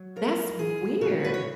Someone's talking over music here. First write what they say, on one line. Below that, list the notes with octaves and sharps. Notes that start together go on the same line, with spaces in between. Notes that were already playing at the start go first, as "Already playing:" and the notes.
That's weird
Already playing: F#3
F3 A#4
F4 G#4
C#3 F#4
B4
C#5